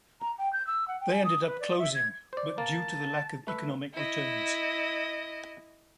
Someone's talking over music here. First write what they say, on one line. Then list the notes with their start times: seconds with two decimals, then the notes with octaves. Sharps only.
They ended up closing, but due to the lack of economic returns.
0.21 A#5
0.39 G5
0.53 G6
0.67 E6
0.88 F#5
1.01 G5
1.12 G#5
1.25 D#6
1.44 B4
1.61 D5
1.79 E5
1.95 G#6
2.33 C5 D5
2.58 A#3 A5
3.47 A3 B4 E5
3.93 E4 D#5